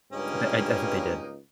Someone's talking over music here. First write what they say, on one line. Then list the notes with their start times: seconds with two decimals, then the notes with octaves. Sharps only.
D I I think they did.
0.13 C#2 G2 A#3 C#4 D#4